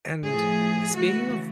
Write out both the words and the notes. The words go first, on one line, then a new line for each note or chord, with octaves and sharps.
And speaking of,
A2 F3 A3 G#4
C#3 E3 A3 F#4